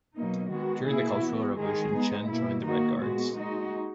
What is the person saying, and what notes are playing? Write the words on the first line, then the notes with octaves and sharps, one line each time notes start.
During the Cultural Revolution, Chen joined the Red Guards.
B2 F#3 A#3 D#4
D#3 G#3 B3 F#4
B2 A#3 E4 G#4
E3 B3 F#4
D#3 G#3 D#4 G#4
G#3 B3 D#4
B2 A#3 E4
D#3 A#3 D#4 F#4
A#2 G#3 B3 F#4
G#3 D#4 F#4